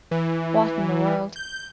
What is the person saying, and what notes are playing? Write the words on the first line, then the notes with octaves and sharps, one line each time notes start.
What in the world?
E3
G6